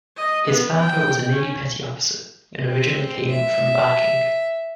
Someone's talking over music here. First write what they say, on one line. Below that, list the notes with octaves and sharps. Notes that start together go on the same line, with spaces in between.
His father was a Navy petty officer, and originally came from Barking.
D#5
B3
G5
C#4
C4
E5